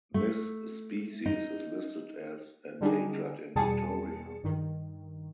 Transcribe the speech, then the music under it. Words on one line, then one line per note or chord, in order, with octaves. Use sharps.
This species is listed as "endangered" in Victoria.
A3
D#4
D3 G3 D4 D#4 G#4
E2 B2 G3 G#4 A5 C#7
G2 D#3